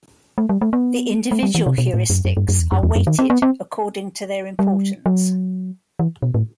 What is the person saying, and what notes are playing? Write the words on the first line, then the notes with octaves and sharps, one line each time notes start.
The individual heuristics are weighted according to their importance.
A3
G3
A3
B3
A3
G3
E3
C3
B2
A2
F#2
F#2
G2
F#2
E2
F#2
E2
F#2
D#3
C4
B3
C4
G3
F#3
E3
B2
A2